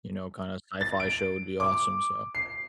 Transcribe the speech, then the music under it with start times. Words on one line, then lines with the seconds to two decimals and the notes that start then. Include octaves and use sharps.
you know, kinda sci-fi show would be awesome, so.
0.81 A6
1.00 D7
1.60 D6
2.35 C7